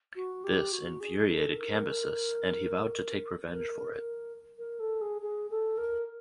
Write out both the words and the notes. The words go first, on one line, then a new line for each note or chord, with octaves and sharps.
This infuriated Cambyses and he vowed to take revenge for it.
F#4
G4
F#4
G#4
A4
A#4
A#4
A#4
A#4
A4
G#4
G#4
A4
A#4